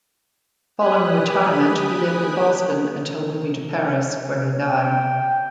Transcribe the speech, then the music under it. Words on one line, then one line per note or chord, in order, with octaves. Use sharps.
Following retirement he lived in Boston until moving to Paris, where he died.
G4 G#5 B5 D#6 F#6
G5